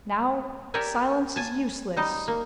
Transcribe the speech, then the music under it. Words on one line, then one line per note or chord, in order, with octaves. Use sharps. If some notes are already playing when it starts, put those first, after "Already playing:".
Now silence is useless.
G4 A#4 C#5 D5 E5 G#5
G#5 A5
G3 D#4 D#5
A#3